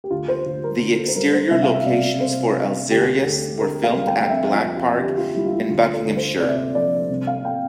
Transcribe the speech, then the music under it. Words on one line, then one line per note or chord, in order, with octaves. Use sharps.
The exterior locations for Alzarius were filmed at Black Park in Buckinghamshire.
G4
D2 F4
C5
D2 F4
A#4
D3
A4
C5
G3 A#4
C5
C2 E5
F5
E5
C2 D5
C3 C5
G3
D2 G4
D2 A4
D3 A#4
F5
G3
G5
F2 E5
F4
F2
F4
D3 G4
F4
G3 E4
F4
E4
D2 F4
A4
D2
C5
C3 D5
E5
D5
F3 D5
C2
F5
G5